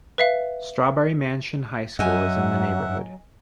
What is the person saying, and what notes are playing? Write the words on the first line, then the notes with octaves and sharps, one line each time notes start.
Strawberry Mansion High School is in the neighborhood.
B4 E5 F5
F#2 F#3 D#5 E5 F#5 G#5